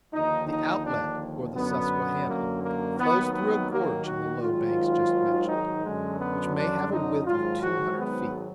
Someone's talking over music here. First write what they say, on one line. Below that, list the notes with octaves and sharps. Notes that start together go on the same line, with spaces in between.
The outlet, or the Susquehanna, flows through a gorge in the low banks just mentioned, which may have a width of two hundred feet.
D#2 D3 F3 D#4
D#4
D4
F#2 D3 F#3 B3
A#3
A#3
D#2 D#3 F#3 B3
B3
A#3
F#4
G#1 G#2 D#3 F#3 F4
D#4
F#2 D3 F#3 G#3
B3
D4
D#4
G#1 G#2 F#3 F4
F#4
B3